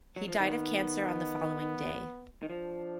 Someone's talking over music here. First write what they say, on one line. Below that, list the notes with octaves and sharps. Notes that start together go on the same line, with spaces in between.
He died of cancer on the following day.
F#3
F3
D#3 B3
D#3
F3 D4